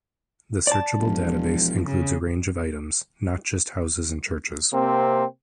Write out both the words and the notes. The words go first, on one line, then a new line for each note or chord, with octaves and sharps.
The searchable database includes a range of items, not just houses and churches.
D5 A5
E1 F3
C#3
C3 A#3 C4